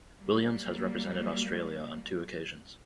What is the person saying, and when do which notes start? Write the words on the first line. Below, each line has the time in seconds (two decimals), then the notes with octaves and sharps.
Williams has represented Australia on two occasions.
0.18 F#3 G3 A#3